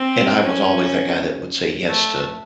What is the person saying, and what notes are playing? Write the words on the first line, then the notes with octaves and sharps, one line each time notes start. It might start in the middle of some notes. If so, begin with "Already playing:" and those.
And I was always that guy that would say yes to,
Already playing: C4
C#4
A3